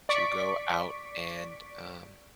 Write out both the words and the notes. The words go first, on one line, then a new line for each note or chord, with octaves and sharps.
to go out and, um,
D5 C#6 B6 D7